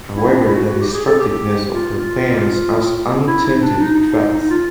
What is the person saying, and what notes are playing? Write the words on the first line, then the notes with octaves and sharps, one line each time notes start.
However the destructiveness of her plans has unintended effects.
E4
D4
E4
F#4
F#4
G4
G#4
A4
G4
F4
F4
E4
D#4
D4
D#4
D#4
D#4
D#4
F4